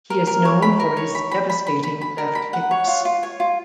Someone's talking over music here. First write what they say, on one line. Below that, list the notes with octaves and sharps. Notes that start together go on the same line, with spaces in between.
He is known for his devastating left kicks.
A#4
A#4
C#5
B5
A#4
C#5
B5
B5
B5
B5
B5
B5
A#4
B5
F#5
C#5
F4
F4
C#5
F4